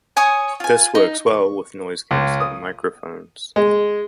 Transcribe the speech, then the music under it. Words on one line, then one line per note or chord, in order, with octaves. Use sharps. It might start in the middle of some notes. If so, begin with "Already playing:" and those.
This works well with noise cancelling microphones.
C#5 G#5 C#6 D#6
F4 G#5
D#4
C#6
C#2
D#6
G#3